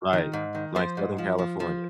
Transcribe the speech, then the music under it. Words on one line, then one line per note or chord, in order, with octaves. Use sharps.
Right, like Southern California.
D#3
G#2
D#3
F3 C5
G#2
F3
F3
F3